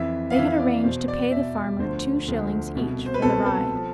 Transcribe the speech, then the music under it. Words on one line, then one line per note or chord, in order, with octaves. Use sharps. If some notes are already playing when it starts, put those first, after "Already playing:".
They had arranged to pay the farmer two shillings each for the ride.
Already playing: F2 E3 E5
F5
F2 E3 E5
D5
E2 B2 C5
D5
E2 B2 E5
D2 D3 F3 C5
D2 D3 F3
C2 B2
C5
B4
C2 B2 A4
A4
F3